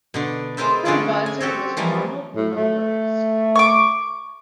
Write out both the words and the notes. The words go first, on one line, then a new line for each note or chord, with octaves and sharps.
Her advisor was Ronald Numbers.
B2 D3 D4
G#3 B3 F4 A#4 C5 E5
D3 C#4 D4 G#4 A4 D5
G#5
C4 F#4 G4 A4 C#5
E3 F3 G3 A#3 D#5
A2
A3
C#6 D6